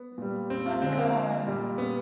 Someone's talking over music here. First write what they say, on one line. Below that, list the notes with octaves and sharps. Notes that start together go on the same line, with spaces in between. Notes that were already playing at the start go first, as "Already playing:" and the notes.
Let's go home.
Already playing: B3
A#2 G3
C4
F4
D3 F3 G#3 C4
A#3
A#2 G3
B3